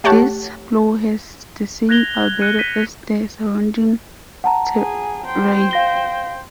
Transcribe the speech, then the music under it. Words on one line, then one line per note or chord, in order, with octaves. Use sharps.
This floor has the same albedo as the surrounding terrain.
A3 G4 C#5 F#5 A5
F#6 G#6 A#6 F7 G7
F#6 C#7 D#7
F#6 G6 B6 D#7
F#5 A5 A#5
G#4 G#5
C5 G5
F5 A#6 G7